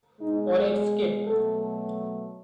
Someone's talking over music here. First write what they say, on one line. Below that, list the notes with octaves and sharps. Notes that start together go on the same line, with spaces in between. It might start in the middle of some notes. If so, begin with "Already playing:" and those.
Or escape?
B2 G#3 D#4
G#4
B2 F#3 A3 A4